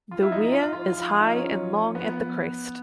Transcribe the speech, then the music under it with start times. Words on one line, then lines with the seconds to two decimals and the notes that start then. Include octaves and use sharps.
The weir is high and long at the crest.
0.11 F4
0.22 E4
0.32 F3 D#4
0.52 F4
0.73 F4
0.93 F4
1.14 D#4
1.34 C#4
1.95 B3